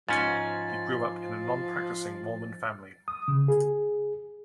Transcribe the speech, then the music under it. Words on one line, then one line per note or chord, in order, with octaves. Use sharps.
He grew up in a nonpracticing Mormon family.
G#2 F3 C#4 A6
D#6
C#3
G#4